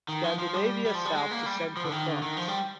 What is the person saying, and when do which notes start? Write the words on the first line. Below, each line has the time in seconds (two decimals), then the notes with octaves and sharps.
Scandinavia South to central France.
0.09 D#3
0.24 F3
0.39 F3
0.54 G3
0.85 G3
0.95 F3
1.05 G3
1.15 G#3
1.31 A#3
1.46 G3
1.77 F3
1.85 D3
1.92 D#3
2.07 D3
2.22 D#3
2.37 F3
2.48 G3